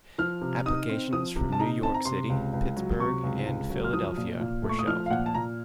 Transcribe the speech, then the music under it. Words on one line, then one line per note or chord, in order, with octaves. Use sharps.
Applications from New York City, Pittsburgh and Philadelphia were shelved.
F3 F6
C3
D#4 D#6
C4
F3 D#6
C3
A5
D#4 A#5
C4 A5
A#5
C3 C6
C#2
C#2
F#3
C3 C#6
C#2
C#2
F#3
F6
F3 D#6
A#2
A#2
A3
C#6
D#6
F3 F6
F5
A#2 F#5
A5
A#2 A#5